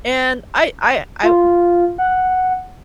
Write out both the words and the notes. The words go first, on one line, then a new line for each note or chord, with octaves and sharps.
And I I I
F4
F#5